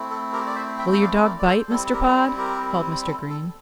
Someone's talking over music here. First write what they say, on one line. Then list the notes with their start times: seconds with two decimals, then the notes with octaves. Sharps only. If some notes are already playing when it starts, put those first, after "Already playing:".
"Will your dog bite, Mr. Pod?" called Mr. Green.
Already playing: A3 C4 E4
0.10 A4
0.33 G4 A#4
0.47 D5
0.56 C5 E5
0.78 E5 G5
0.93 G5
1.01 D5 F5
1.24 A#4 D5
1.39 D5
1.47 A4 C5
1.70 G3 A4
1.72 C4 E4
1.93 G4 A#4
2.38 G4 A#4
3.06 A4
3.30 A4